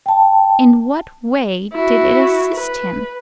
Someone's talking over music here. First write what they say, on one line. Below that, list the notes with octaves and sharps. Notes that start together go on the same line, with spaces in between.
In what way did it assist him?
G5 A5
E4 F#4
B4